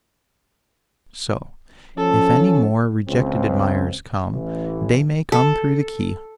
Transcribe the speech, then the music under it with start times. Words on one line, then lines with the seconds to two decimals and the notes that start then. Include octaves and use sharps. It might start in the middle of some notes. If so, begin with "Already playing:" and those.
So, if any more rejected admirers come, they may come through the keyhole.
1.97 F3 C#4 A4
3.07 C#2 C4
4.30 A1 E3
5.32 A4